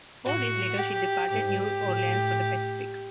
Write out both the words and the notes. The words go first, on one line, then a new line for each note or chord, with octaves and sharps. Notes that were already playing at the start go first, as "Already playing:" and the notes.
Four days later she departed New Orleans for the Pacific.
A2 F#4
G4
G#2 G4
A2